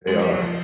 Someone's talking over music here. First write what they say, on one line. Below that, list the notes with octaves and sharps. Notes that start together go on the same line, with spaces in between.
They are,
G#3
G3
F#3
F3